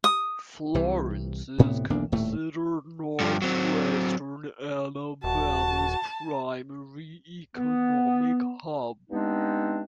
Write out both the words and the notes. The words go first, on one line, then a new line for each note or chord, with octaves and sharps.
Florence is considered northwestern Alabama's primary economic hub.
D#6
C2 C3 E3
D2 A2 C3 B3
B1 E2 A#3 D4
D#1 A2 A3
G2 F3
F#3 C4
D#1 F#4 A5
B3
G2 G#3 B3 C4 D4 D#4